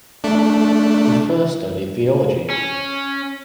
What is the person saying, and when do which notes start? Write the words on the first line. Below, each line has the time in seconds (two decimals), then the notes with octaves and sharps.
He first studied theology.
0.24 A3 D4
2.50 C#4